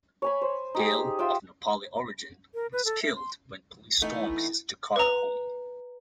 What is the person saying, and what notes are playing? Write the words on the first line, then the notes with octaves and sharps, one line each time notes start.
Ghale, of Nepali origin, was killed when police stormed his Jakarta home.
C#5 G#5 B5
C5
D#4 G4 G#4
F4 E5 G5 E6
A#4
B4
A4
E5
C6
E3 A3 B3 D#4
B4 A#5